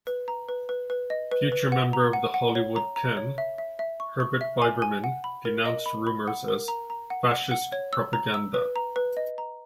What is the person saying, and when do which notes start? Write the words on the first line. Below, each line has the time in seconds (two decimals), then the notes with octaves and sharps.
Future member of the Hollywood Ten Herbert Biberman denounced rumors as "Fascist propaganda".
0.07 B4
0.28 A#5
0.49 B4
0.69 B4
0.90 B4
1.10 D#5
1.32 B4
1.52 B4
1.72 F#5
1.93 A#5
2.13 F#5
2.34 F#5
2.55 C#5
2.76 A#5
2.96 A#5
3.17 C#5
3.38 E5
3.58 E5
3.79 E5
4.00 C#6
4.20 C#6
4.41 E5
4.62 G#5
4.82 G#5
5.04 F#5
5.24 B5
5.45 A#4
5.66 D#5
5.86 B5
6.07 B5
6.28 F#5
6.48 A#4
6.68 A#5
6.90 A#5
7.10 F#5
7.31 F#5
7.51 F#5
7.72 C#5
7.93 E6
8.13 A#5
8.34 E6
8.54 B4
8.76 A#5
8.96 B4
9.17 D#5
9.38 A#5